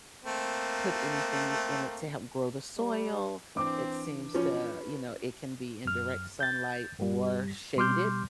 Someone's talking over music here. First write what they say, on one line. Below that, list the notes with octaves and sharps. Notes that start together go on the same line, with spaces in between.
put anything i in it to help grow the soil, it seems to you know, it can be in direct sunlight or shaded,
A3 A#3 C4
G3
E3 C4 D4 D6
F3 C#4 B4
F#2 F6
G6 A6
G2 G3
B2 G3 C6 D6 F6 G6